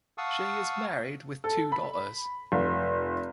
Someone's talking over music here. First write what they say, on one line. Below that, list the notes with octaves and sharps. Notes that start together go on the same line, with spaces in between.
She is married with two daughters.
F5 F#5 A5 C#6 D#6 E6
A4
B5
F1